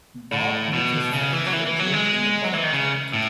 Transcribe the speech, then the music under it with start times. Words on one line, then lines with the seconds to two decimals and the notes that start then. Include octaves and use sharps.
Bob meets his friend for a drink in the Buttermarket.
0.33 A2
0.73 B2
1.13 C#3
1.33 E3
1.47 F#3
1.53 E3
1.66 E3
1.79 F#3
1.93 G#3
2.44 F#3
2.54 E3
2.64 D#3
2.73 C#3
3.13 A2